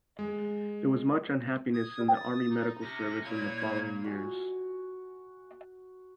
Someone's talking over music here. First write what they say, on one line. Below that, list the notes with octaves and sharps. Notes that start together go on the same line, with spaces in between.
There was much unhappiness in the Army Medical Service in the following years.
G#3
D#6 G#6
D#6 A6
D#4
C3 C#4 A#6
A#2 A#3 E4 C#5 G#6
F#4 G#5